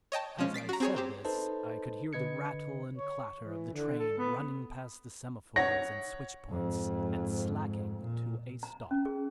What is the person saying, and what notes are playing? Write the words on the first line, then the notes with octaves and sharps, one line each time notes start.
As I said this I could hear the rattle and clatter of the train running past the semaphores and switch points and slacking to a stop.
C#5 D#5 G5 A5
F3 G#3 C#4
A6 B6 C7 D7
F#4 A#5
C4 G#4 C#5
C4 G4
D#4 A4 B4 C5 D#5 A5
D3 B4 D#5 G#6 C#7
C#5
E3
D3
A4
B3
C#5 F#5 A#6
F2 G#2
A#2
A#5
C#4
G#4